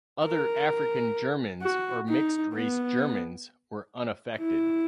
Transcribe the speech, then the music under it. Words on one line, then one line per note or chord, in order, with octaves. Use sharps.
Other African-Germans or mixed race Germans were unaffected.
A#4
F#4
D#4
B3
E4